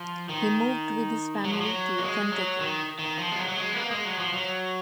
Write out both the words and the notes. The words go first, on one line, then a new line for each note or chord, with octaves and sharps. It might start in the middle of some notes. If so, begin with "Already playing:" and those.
He moved with his family to Kentucky.
Already playing: F3
D#3
F#3
F3
F#3
A#3
G#3
F#3
D#3
D#3
F3
G#3
F#3
F#3
G#3
B3
A#3
G#3
F#3
F3
F#3